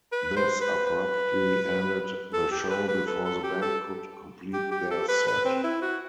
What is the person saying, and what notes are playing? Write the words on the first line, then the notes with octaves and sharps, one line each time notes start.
This abruptly ended the show before the band could complete their set.
B4
C5
B4
B4
A4
G4
B4
B4
A4
A4
G4
A4
G4
G4
A4
B4
B4
C4
E4
F#4